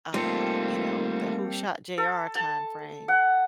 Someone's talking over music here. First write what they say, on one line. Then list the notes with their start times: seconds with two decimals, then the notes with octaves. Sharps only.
uh, you know, the "who shot J.R." time frame.
0.14 G3 A3 A#3 C4 D#4 F4 A4
1.98 A4
2.35 A5
3.08 F#5